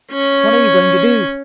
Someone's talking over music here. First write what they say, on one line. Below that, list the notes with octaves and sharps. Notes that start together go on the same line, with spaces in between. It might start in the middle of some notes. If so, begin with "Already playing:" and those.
"What are you going to do?"
C#4 C#5